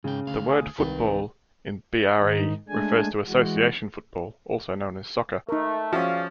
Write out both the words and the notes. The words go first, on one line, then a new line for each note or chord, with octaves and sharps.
The word "football" in BrE refers to Association football, also known as soccer.
G#2 C#3 G5
D2 F5
G#5 D#6
C2 D#3 B4 G5
G#2 D#3 D#4
G#3 A3 D4 G#5
E3 G#3 F#4
A3 D#4 A#4
F3 C#4 F#4 G#4 D5 E5 F5